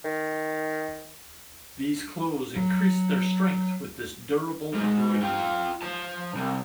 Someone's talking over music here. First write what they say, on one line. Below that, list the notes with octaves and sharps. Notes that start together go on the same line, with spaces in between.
These clothes increased their strength with this durable embroidery.
D#3
F#3
G#2
F4 G5
F3 A5
C2